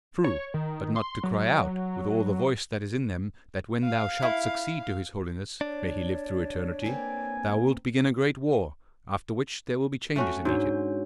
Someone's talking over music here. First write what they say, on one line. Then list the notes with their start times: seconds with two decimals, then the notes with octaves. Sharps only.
"True; but not to cry out, with all the voice that is in them, that when thou shalt succeed to his holiness--may he live through eternity!--thou wilt begin a great war, after which there will be changes in Egypt."
0.24 C#5
0.54 D#3
0.96 C6
1.23 F#3
3.85 F5
4.22 E4
5.61 D4 C#5
6.84 A#3 C4 B4 G#5
10.16 A3 C#4 F#4
10.45 G#2 D4 F#4 C#5